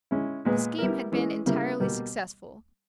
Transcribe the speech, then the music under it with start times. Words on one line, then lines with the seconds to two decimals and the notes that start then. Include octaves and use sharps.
The scheme had been entirely successful.
0.11 G#3 C#4 E4
0.45 A#2 G#3 B3
0.78 G3 B3 E4 A#4
1.12 E3 G#3 C#4
1.46 C#3 G3 A#3 E4
1.79 B2 G3 A#3